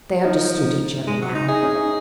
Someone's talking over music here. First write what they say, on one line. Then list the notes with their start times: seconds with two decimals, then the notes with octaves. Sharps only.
They understood each other now.
0.24 F3 D#4
1.07 G#3
1.22 F#3
1.35 D#4
1.48 D#4 G#4
1.62 C#4
1.76 D#4